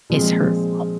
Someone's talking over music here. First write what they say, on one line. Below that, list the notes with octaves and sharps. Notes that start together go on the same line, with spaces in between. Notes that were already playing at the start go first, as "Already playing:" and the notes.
It's her fault.
A#2 F3 G#3 C4